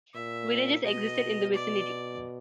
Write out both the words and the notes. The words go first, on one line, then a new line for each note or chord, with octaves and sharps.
Villages existed in the vicinity.
A#2 E5
B2 D#5
D5